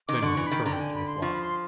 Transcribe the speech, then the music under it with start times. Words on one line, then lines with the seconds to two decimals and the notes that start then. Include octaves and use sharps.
Then he returned to the flier.
0.08 D#3 D6
0.22 D3 C#6
0.37 E3
0.47 D#3 B5
0.65 D3 A#5
0.73 G5
0.80 G#5
0.94 B5
1.08 C6
1.22 F3 C#6
1.34 B5
1.41 C6